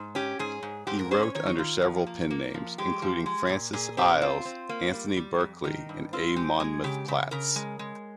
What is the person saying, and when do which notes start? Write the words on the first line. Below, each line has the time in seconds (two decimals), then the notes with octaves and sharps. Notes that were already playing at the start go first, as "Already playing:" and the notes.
He wrote under several pen-names, including Francis Iles, Anthony Berkeley and A. Monmouth Platts.
Already playing: G#2
0.15 C#4 G4
0.39 G#2 G#4
0.63 G#2
0.87 G#2 G4
0.99 A#4
1.11 C#4 C5
1.23 C#5
1.35 D#3 C#5
1.46 D#4
1.58 D#3 F4
1.82 F3
2.07 A#3
2.30 A#3
2.54 F3
2.78 G#3 G4
3.02 F3
3.26 G#3
3.49 A#2
3.73 A#2 G#4
3.97 C4 G4
4.22 C4 F4
4.45 C4
4.69 A#3
4.94 G3
5.16 G3
5.40 F2
5.64 D#3 D#4
5.89 G2
6.13 C4 F4
6.36 G#3 G4
6.60 G#3 G#4
6.84 C#3 G4
7.08 C#3
7.31 C#3 A#4
7.56 G#3
7.79 G#3